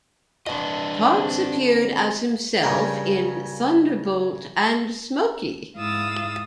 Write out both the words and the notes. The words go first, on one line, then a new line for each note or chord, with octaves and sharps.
Parkes appeared as himself in Thunderbolt and Smokey!
D4 B4 D#5 A5
D3 C4
G2 C#3 A#4 G5
G#2 E4 F5 D#6 E6 A6